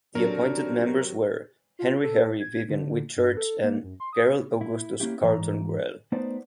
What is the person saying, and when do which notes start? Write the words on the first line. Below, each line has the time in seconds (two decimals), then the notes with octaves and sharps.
The appointed members were Henry Harry Vivian Whitchurch and Gerald Augustus Carlton Grell.
0.15 C3 F#3 D4 A4 A#4
1.79 F4
2.03 A4
2.40 G#6
2.69 D3
3.16 G2
3.37 A4
3.63 A#3
3.84 F#2
4.00 C6
4.13 D#6
4.61 E4
5.00 A#3 C#4 E4 G4
5.21 G#2 E3 A#5
6.12 A3 B3 D#4 B4 C5 D5